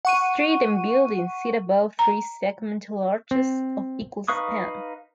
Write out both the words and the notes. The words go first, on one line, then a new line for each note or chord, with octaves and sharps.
The street and buildings sit above three segmental arches of equal span.
F#5 C#6 D#7
A#5
C4
D#4 B4 F5 C#6 D#6